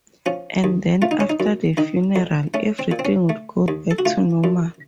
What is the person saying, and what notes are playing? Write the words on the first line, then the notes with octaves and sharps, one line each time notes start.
And then after the funeral, everything would go back to normal.
F3 C#4
D#2
A3 F4
D#4
C#4
D#4
F#2
D#3 D#4
F2
A3 C#4
C4
A#2
C4
C#4
A3
D#2
A4
F#4
A3 F4
F#2